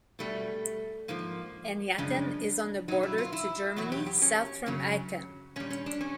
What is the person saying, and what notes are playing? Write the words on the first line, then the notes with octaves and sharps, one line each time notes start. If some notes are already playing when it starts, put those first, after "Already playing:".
Eynatten is on the border to Germany, south from Aachen.
B2 G3 A3
G#2 F3 A#3
F#2 C#3 F3 G#3 D4
B2 F#3 D#4
E4
F4
E4
E2 B2 F#3 F#4
G4
G4
C#4
F#2 C#3 F#3
A#2 G3 C#4
C#4
D4
C#4